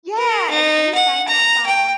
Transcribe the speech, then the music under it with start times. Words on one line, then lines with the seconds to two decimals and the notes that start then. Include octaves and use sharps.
Yeah! And he sang that song
0.18 A#4
0.50 D#4
0.95 F#5
1.28 A#5
1.66 G5